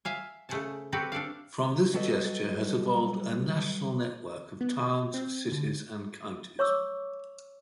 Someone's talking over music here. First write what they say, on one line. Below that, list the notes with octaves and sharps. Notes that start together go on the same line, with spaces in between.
From this gesture has evolved a national network of towns, cities and counties.
E5 F5 G#5
C#3 A3 C5 F#5 G#5 A5
C4 F#4 G4 A4 B4
D4 A4 D5 F5
F#3 G3 F#4 A4 B4 D#5
B3
C4
D3
C#5 C#6 D6 E6